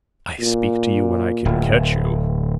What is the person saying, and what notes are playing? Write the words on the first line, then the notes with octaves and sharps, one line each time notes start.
I speak to you when I can catch you.
A#2
D1